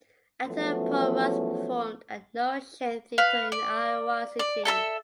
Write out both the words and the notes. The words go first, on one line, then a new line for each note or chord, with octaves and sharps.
Actor Paul Rust performed at No Shame Theatre in Iowa City.
E2 F3 F#3 A3 B3 C#4
B4 F5
D5
D5
A4 E5 A5 E6